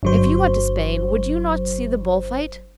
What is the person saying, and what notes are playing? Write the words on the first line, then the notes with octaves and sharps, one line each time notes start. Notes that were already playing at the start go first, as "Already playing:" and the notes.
If you went to Spain, would you not see the bull-fight?
G1 F#3 C5